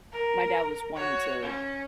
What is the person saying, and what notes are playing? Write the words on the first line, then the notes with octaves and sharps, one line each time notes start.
my dad was one to
A#4
F#4 C#5
C#4